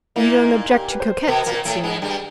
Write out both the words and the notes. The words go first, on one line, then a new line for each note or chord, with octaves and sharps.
"You don't object to coquettes, it seems?"
A#2 A#3 E4
D#4
G4
B4
C5
B2 B3 A#4
A#2 A#3
A2 A3
G#2 G#3
G2 G3